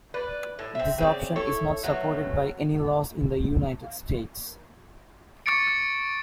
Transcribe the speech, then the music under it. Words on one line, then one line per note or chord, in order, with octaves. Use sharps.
This option is not supported by any laws in the United States.
B4 D5
A2
C4 E5
C#3 C4 D5
E4 A4 C#5
B2 F#3 A3
C#6 D6 A6 C#7 D7